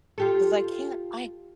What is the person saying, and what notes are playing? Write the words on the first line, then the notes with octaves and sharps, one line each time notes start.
'Cause I can't, I
F4 G4 A4